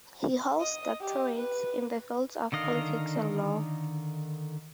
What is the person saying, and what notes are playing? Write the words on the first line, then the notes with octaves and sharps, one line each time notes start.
He holds doctorates in the fields of politics and law.
D#5
G4
B4
D3 D#3 D#5 F5